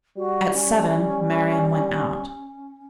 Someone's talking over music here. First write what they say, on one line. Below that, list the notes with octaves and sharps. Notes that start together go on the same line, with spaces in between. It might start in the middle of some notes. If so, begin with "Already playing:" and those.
At seven, Marian went out.
G3 F#4
C#4